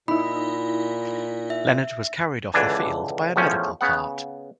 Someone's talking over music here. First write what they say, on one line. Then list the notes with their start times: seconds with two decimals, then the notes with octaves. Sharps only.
Leonhard was carried off the field by a medical cart.
0.08 A#2 D#4 E4 B5
1.50 E5
2.54 C#2 D3 E3 D4 G#5
3.36 E2 A2 F3 C#4
3.81 C#3 B3 F#5